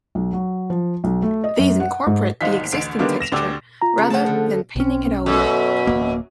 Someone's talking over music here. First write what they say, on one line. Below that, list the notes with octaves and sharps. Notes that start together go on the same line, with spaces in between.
These incorporate the existing texture, rather than painting it over.
B1
F#3
F3
B1
A3
D#5
F#2
F#5
G#2
D1 G#1 G#2 D#4 F5 B6
A1 D2 D7
D3 D#3 G3 A#3 B3 D4
A#6 E7 F7
D2 D4 G4 D5 E6
F4 A#5
C#3
F3 A3 F#5 A5
D3
B1 C4 C#4
F#2 B2 A4
D1 E2 E3 A#3